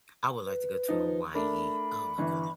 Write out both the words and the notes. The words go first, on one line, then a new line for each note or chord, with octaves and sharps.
I would like to go to Hawaii, oh my goodness
B4
F3 D#4
A3 D4 A#4 B5
G1 E3